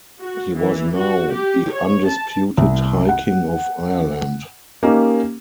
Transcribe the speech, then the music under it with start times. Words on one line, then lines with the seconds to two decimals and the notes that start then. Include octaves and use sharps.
He was now the undisputed High King of Ireland.
0.20 F#4
0.56 E3
0.97 F#4
1.33 G4
1.72 C#5
2.08 A5
2.57 C2
3.09 F#5
4.83 A#3 C#4 D#4 G4 A#4